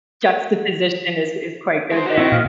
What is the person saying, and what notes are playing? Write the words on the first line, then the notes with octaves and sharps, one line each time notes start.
juxtaposition is is quite good there.
G#3 C5
F#4 G4
C4 E4 F#4
A#2 D#5 F5